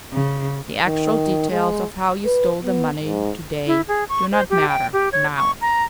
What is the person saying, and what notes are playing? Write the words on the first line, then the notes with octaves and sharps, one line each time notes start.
The actual details of how you stole the money to-day do not matter--NOW.
C#3
D#3
G#3
B4
B3
G#2
E4
G#4
C#6
C5
G4
G5
G4
C#5
C#6
A#5